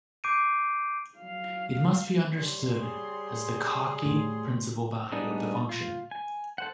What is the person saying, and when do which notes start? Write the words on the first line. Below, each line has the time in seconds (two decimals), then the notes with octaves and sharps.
It must be understood as the Cauchy principal value of the function.
0.24 D6 G6 C7 D7 D#7
1.17 F#3 F5
2.35 G3 C#5 C6
2.80 G#4
4.05 A2
5.12 G3 B3 D4 D#4 G#4
5.69 F4
6.11 G#5
6.58 A4 C5 F#5